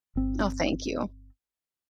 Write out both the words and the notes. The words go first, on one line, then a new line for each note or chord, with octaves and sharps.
Oh, thank you.
G1 C4